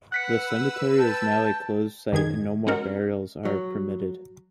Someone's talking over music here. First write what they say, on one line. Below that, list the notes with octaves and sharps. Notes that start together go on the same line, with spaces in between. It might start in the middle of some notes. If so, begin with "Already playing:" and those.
The cemetery is now a closed site and no more burials are permitted.
B4 F#5 E6 F#6 B6 C#7
G5 A5
F#2 D#3 G#4 G#6
G#3 C#4 F#4 A#4
F#3